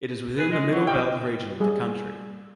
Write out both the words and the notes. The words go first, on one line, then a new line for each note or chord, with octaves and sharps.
It is within in the Middle Belt region of the country.
G#4 B4
G#3
F#3
G2 D#3 G3 G5
G3 G#4